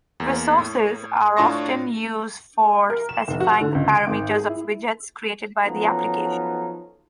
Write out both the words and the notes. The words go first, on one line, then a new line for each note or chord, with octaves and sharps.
Resources are often used for specifying the parameters of widgets created by the application.
E2 A#3
A2
A2 D4 F4 A5 C#6 A#6
A#4
E7
F1
F#4
D3
C#2
D7
G#1
G#4
E4
F3 F#3 B3 C#4 D#4 A4